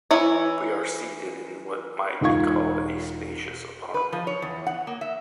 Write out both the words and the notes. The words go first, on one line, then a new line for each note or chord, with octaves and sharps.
We are seated in what might be called a spacious apartment.
E3 E4 C#5
E1 D#4 F4 C#6 G#6
B4
F3
C#5
E2
F#5
A#3
E5